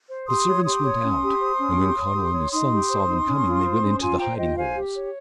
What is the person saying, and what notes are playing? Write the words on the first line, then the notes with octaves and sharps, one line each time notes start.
The servants went out, and when Conall and his sons saw them coming they went into the hiding holes.
C5
G4 C6 D#6
C#5
G4 C6 D#6
C#5
C#4
G4
C5
C#4
G4
C#5
G4
C#5
D#4 C6 D#6
G4
C5
D#4
C#4
F4
C5
C#4
F4 G#5 C6
C5 G5 A#5
F4 D#5 G5
C5 F5 G#5
G4
C#5